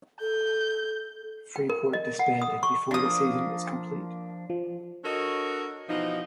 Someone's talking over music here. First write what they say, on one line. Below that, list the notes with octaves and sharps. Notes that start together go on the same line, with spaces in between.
Freeport disbanded before the season was complete.
A4 G6
G5
A#4
D#5
F#5
D#6
C#6
F3 A#3 D4 D#6
F3
D4 F#4 A4 A#4 C#5 D#5
B2 E3 F3 D#4